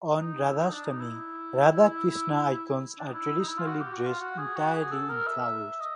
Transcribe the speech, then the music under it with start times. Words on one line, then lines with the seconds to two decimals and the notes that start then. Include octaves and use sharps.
On Radhastami, Radha Krishna icons are traditionally dressed entirely in flowers.
0.20 D#4
0.46 E4
0.59 D#4
0.72 D4
0.85 D#4
1.00 E4
2.99 D4
3.07 D#4
3.14 E4
3.39 D#4
3.48 E4
3.57 F4
3.67 F#4
3.80 G4
3.93 F#4
4.07 F4
4.20 F#4
4.38 G#4
4.56 F#4
4.74 G#4
4.91 A4
5.09 A#4
5.27 E5
5.80 D#5